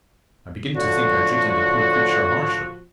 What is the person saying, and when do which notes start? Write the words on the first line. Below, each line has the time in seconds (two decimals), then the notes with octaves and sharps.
I begin to think I treated the poor creature harshly.
0.75 A2 D3 F3 F#4